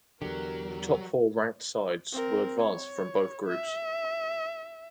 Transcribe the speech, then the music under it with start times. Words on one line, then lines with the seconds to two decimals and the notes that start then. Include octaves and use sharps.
The top four ranked sides will advance from both groups.
0.22 E2 D3 F#3 G4 A#4
2.13 C4 A#4
2.60 C#5
3.47 E5